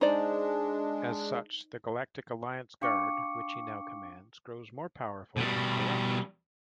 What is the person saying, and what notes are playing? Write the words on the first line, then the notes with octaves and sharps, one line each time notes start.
As such, the Galactic Alliance Guard, which he commands, grows more powerful and corrupt.
G#3 D4 D#4 C5 D5
D4 F5 G5 C#6 D6 C#7
B2 G3